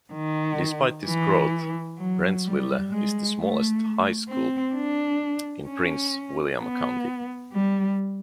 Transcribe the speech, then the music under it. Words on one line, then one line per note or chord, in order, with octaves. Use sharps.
Despite this growth, Brentsville is the smallest high school in Prince William County.
D#3
E3
F#3
G3
G#3
A3
C4
D4
C#4
B3
G3